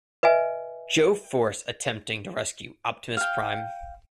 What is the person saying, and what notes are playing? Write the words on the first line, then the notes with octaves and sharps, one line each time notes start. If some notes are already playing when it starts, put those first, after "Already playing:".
Joe force attempting to rescue Optimus Prime.
B4 D#5 E5 G#5
F5 G5